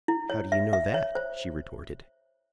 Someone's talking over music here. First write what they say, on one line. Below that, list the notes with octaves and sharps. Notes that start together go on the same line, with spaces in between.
"How do you know that?" she retorted.
E4
C#5
E5
E5
C#5
C5